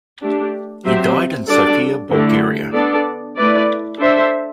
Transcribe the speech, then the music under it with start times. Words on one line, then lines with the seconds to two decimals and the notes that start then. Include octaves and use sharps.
He died in Sofia, Bulgaria.
0.22 A3 D4 G4
0.84 F#3 C4 G4 C5 E5
1.46 G3 D4 F#4 A4 D5
2.10 D3 A3 E4 G4
2.72 B3 D4 A4 D5
3.36 A3 E4 B4 D5
3.99 D4 A4 C5 E5